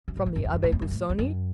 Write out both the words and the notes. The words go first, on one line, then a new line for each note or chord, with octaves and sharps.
"From the Abbe Busoni?"
F#2
A2
E3
F#2
E2
F#2
A2
E2
F#2
A2
E2
F#2